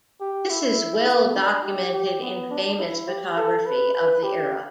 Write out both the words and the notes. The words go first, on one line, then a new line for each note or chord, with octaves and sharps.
This is well documented in famous photography of the era.
G4
E4
B3
D4
G4
G4
B3
D4
E4
G4
A4
B4
B4
G4